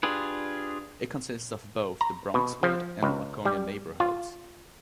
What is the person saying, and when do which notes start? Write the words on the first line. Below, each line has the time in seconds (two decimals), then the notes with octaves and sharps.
It consists of both the Bronxwood and Laconia neighborhoods.
0.03 D4 F4 G4 G#4 B4
2.01 A#5
2.34 B2
2.63 F3
3.02 C#2
3.45 G3
4.00 F4